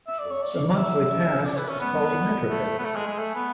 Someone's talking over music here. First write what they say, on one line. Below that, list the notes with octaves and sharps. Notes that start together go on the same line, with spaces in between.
The monthly pass is called a Metropass.
E5
D5
C#5
D5
D5
E5
E5
D5
B4
C#4
B3
A3
B3
A3
G#3
G#3
A3
B3